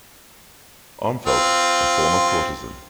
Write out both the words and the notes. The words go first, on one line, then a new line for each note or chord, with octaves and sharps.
Armfeldt, a former courtesan.
C4 F4